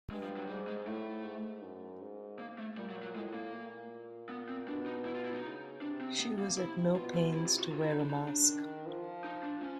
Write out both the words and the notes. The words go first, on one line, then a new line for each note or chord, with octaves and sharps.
She was at no pains to wear a mask.
G2 G#3
F3
F#3
G#2 G3
G#3
A2 A3
G#2
F#2
G#2
A#3
A3
A#2 G3
F#3
F#3
A2 G#3
A#3
A#2
B3
C4
B2 D4
D#4
E4
F4
E4
D#4
C#3
C3 D4
C4
B3
A#3
E4
B2 F4
F4
C3 E4
F4
F#4
C#3 F4
E4
D#4
D4
D#4
D4
D#3
F3
D#4
D4
C#4